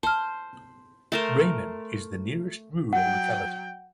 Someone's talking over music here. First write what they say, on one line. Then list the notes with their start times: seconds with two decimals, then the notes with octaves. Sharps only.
Ramen is the nearest rural locality.
0.03 C5 A5 F6
1.12 A3 A#4 C5
2.93 F#3 F#5 G5